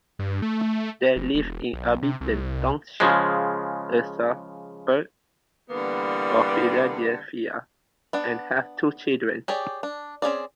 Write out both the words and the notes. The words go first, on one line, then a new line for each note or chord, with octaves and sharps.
They live in Abington Township, a suburb of Philadelphia, and have two children.
G2
A3
F1
E1
B1
C3
C2
C#3 F3 G#3
D3 E3 G3 A#3 B3
B3 D4 F#5
G4 G#4 C#5 D5
D4
C4 C#4 G#4 D5